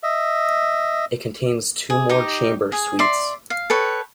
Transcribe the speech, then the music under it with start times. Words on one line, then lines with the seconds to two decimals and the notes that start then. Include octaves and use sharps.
It contains two more chamber suites.
0.03 D#5 E5
1.90 G#4
2.09 D#4 G4 D#5
2.72 G#4
2.99 D5 E5 C6
3.50 F5
3.70 A4 B4 C#5 G5